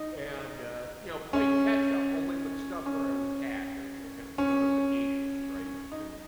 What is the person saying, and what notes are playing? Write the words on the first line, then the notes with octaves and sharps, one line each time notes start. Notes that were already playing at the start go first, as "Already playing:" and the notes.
and, uh, you know, played catch-up only with stuff where I was tagged, I was looking at notifications, right? 'Cause
Already playing: D#4
C#4
C#4
C#4
D#4